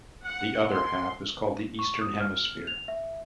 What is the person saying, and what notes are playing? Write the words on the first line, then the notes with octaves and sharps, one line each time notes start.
The other half is called the Eastern Hemisphere.
F#5
C6
C#6
D#6
F6
F7
E5